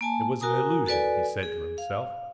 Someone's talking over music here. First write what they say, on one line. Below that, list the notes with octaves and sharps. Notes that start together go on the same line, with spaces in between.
It was an illusion, he said to himself.
A#3 G#5 A5
F#4 A#4 G#5 A#5 D#6
F#4 A4 B4 D5 G#5
G#4
F5